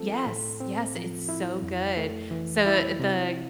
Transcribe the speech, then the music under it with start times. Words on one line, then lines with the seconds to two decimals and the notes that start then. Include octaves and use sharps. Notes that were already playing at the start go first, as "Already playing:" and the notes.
Yes. Yes, it's so good. So, the the
Already playing: F3 C4 F4 A4
0.26 A2
0.61 C4
0.95 F3
1.29 E4
1.62 F2
1.97 A3
2.31 E3
2.66 E4
3.00 C3